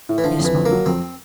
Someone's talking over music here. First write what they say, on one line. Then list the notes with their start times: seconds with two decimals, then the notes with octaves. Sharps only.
'Yes, mother.
0.09 A2
0.18 E3
0.24 D3 F3
0.39 F2
0.45 E3
0.55 F2
0.65 A#3
0.71 F#3
0.86 F2 C4